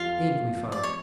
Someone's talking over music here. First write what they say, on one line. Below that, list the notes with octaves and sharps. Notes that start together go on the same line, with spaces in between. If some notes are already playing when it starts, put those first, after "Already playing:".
Ain't we, father?'
Already playing: F2 F4 F5
D5
C#5